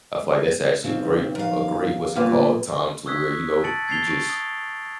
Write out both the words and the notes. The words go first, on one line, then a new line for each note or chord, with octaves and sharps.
I feel like that's actually a great a great, what's it called, time to where, you know, you just
G#3
G1 C#3 C4 D#4
F#2 F3 F5
G1 A#2 F#3 F4 B4 F5
C#6 D#6 E6 F#6 G#6 B6
A5 A6 C#7 D7 F#7
G#6 A6 C7 C#7 F7 G7
C#6 D7
D#6